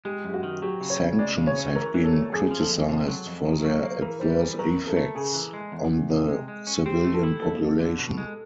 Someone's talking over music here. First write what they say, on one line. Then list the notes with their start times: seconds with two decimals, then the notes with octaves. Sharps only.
Sanctions have been criticised for their adverse effects on the civilian population.
0.05 G#3 G4
0.24 F#2 G4
0.34 F#4
0.43 D#3
0.62 F#3 G4
0.81 C#3
0.90 C#5
0.99 C#3
1.19 G#3 D5
1.38 C#3
1.47 C#5
1.56 C#4
1.75 E3 A#4
1.94 E3
2.04 A4
2.13 A3
2.32 F2 G#4
2.51 F3
2.60 A4
2.70 F2
2.89 C3
3.08 F#3
3.26 F2
3.45 D#3
3.64 F#3
3.83 A#3
4.02 E3 A#4
4.20 G3 C5
4.31 B4
4.40 E3
4.59 F#3 A#4
4.78 E2
4.87 A4
4.97 A3
5.15 C#3 G#4
5.34 E3
5.53 G#3
5.72 E2
5.91 E2
6.10 C3
6.29 G#3
6.48 G#3
6.67 C#4
6.86 C4 G4
7.04 A3
7.14 A4
7.23 E4
7.42 F2 A4
7.61 F2
7.80 D3
7.99 B2
8.18 G#3